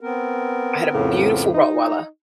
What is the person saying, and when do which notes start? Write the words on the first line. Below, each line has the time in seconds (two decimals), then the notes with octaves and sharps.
I had a beautiful Rottweiler
0.01 B3 C4 A#4
0.94 F2 A2 C#3
1.54 D#4